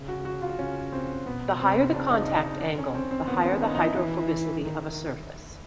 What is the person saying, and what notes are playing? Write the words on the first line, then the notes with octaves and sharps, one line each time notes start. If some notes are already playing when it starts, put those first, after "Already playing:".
The higher the contact angle the higher the hydrophobicity of a surface.
Already playing: C#3
F#4
F#4
F4
C#3 C#4
C4
B2 B3
C3 C4
C#3 D4
D#4
D#4
D#4
D4
C#4
C4
C4
D#3 B3
C#4
D#4
D#4
E4
E3 E4
D#3